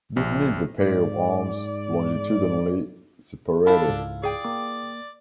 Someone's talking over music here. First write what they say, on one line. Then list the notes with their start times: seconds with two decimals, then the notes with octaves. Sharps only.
This needs a pair of arms longitudinally separated.
0.17 A#1
0.79 G#2 D5
3.67 D4 E4 F4 A4 B5
3.87 C#2 G#2
4.23 G#4 D5 G5
4.45 A#3 D6